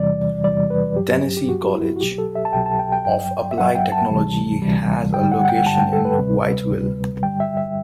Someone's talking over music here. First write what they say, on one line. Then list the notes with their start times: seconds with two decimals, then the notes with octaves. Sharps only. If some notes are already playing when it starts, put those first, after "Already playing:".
Tennessee Colleges of Applied Technology has a location in Whiteville.
Already playing: E2 C3 E3 G3 D5
0.44 E2 C3 E3 G3 D5
0.70 B4
0.96 G2 F#3 G4
1.37 G4
1.49 G2 F#3 F#4
1.75 E4
1.96 F#4
2.00 C2 B2 F#3 G4
2.18 A4
2.35 E5
2.45 A5
2.53 C2 B2 F#3 G5
2.66 A5
2.79 G5
2.92 G5
3.05 G2 F#3 G5
3.51 E5
3.58 G2 F#3 F#5
3.75 G5
3.92 A5
4.10 D2 C3 E3 G3
4.62 D2 C3 E3 G3
5.14 G2 D3 G3 G5
5.32 F#5
5.45 F#5
5.49 G5
5.66 G2 D3 G3 A5
5.79 G5
5.93 A4
6.05 B4
6.19 D2 C3 G3
6.70 D2 C3 G3
7.23 G2 D3 G3 G5
7.40 E5
7.57 E5